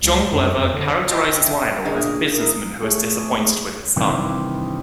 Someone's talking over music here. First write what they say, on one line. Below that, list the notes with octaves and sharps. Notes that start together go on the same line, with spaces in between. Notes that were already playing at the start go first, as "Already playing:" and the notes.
John Glover characterizes Lionel as a businessman who is disappointed with his son.
C#2
F#2
F2
D3
F4 G4 D#5 A5 E6 G6
E5
C#3 A#3 D4 G#4 D#5
E4 A#4 D#6
A3 G#4 C#5
G2 C3 D#3 E3 G3